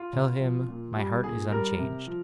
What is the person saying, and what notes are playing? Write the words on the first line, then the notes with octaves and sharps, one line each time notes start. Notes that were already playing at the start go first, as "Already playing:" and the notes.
Tell him, my heart is unchanged.
Already playing: F4
C#3
F3
A#2
G3
A#2 G#4
G3 A#4
C3
F3